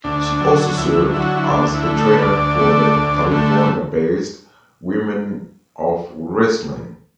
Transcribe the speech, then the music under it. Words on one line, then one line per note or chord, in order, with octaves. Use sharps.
She also served as a trainer for the California-based Women of Wrestling.
D2 D4
D3 F#3
D2 E4
D3 F#3 E4
F#4
E4
D2 D4
E4
D3 A3
A4
B4
D2 D5
D3 A3
D2
D3 A3